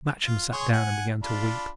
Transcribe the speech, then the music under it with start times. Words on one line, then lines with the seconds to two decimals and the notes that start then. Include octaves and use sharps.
Matcham sat down and began to weep.
0.25 F4
0.53 G#4 C#5 C6
0.73 F#5 G#5
1.23 D4 F4 B5